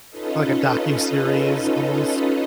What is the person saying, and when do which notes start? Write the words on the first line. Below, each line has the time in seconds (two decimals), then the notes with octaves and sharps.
Like, a docuseries almost?
0.10 C#4 D#4 F4 A4 B4 D#5